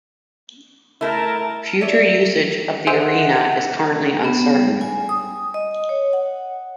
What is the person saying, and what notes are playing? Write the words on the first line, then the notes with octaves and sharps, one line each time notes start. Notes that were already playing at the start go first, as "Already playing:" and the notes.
Future usage of the arena is currently uncertain.
A3 E4 A#4 A5
A4 C#5 D5 E5
G#4 C5 D#5 E5 F#5
B3
G3
G#5
D#6
D#5
C#5
F#5